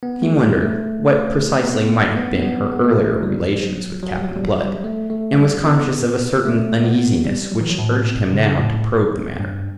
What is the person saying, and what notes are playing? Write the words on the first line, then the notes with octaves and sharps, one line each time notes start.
He wondered what precisely might have been her earlier relations with Captain Blood, and was conscious of a certain uneasiness which urged him now to probe the matter.
B3
A3
G3
A3
B3
A3
B3
B3
B3
A3
G3
F#3
F#3
G3
F#3
G3
F#3
F#3
G3
A3
A3
G3
B3
A3
A3
B3
G3
F#3
E3
F#3
A2
B2
C#3
A2
G2